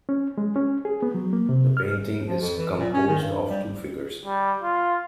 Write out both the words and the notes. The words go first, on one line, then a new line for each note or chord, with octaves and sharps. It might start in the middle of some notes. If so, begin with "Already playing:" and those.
The painting is composed of two figures.
C#4
G#3
C#4
G#4
B3
F#3
A#3
C3
F6
F3
F2
E3
A#2
C#4
D#3
G2
G3
G3
F4